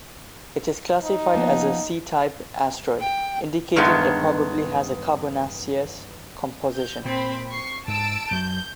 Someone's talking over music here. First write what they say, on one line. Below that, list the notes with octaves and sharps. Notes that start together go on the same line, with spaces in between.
It is classified as a C-type asteroid, indicating it probably has a carbonaceous composition.
D#4
F3 A#3 B3
G5
E2 G2 D#3 G#3 B3
G6
A#2 C4 B5
C#6 C7
G#2 A5 E6 D7
F#2 F#3 G6